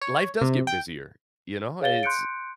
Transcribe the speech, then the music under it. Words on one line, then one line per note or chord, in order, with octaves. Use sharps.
life does get busier, you know, it's
C#5
C3
G5
G#4 C#5 F5 A6 G7
C6 F#6 G6 C#7 D7